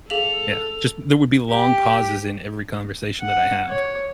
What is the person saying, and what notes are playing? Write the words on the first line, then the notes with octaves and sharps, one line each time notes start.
Yeah, just there would be long pauses in every conversation that I have.
G#4 A4 F5 F7 F#7
G4
F#5
C#5